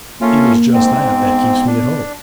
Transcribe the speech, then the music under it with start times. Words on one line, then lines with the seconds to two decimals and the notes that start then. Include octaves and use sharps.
'It is just that that keeps me at home.
0.21 A3 A#3 C#4 F4
0.73 G#2 C4
1.06 B3
1.67 D4